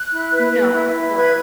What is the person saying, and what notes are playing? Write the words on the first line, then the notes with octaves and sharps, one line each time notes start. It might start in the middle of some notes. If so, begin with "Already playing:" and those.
No, right.
Already playing: F#6
E4
B4
B4
E4
E4
B4 G#6